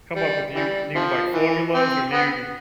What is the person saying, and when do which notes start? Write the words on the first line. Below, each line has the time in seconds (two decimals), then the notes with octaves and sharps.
come up with you new like formulas or new
0.15 G3
0.55 E3 G3
0.95 C3 F3
1.34 E3
1.74 C4
2.13 B3